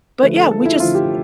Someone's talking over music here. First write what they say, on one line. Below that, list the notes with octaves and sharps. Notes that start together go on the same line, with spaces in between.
but, yeah, we just
D3 F3 A3 B4
A4
A4
F4
E4
D3 F3 A3 F4
G4